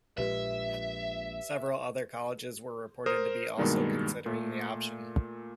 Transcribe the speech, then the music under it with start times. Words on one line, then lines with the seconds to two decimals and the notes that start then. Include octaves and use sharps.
Several other colleges were reported to be also considering the option.
0.18 A#1 A#2 G#3 G4 B4 E5
3.06 A#4 C5 D#6 F6
3.57 G2 B2 D#3 G#3 A#3
4.26 A#2 A3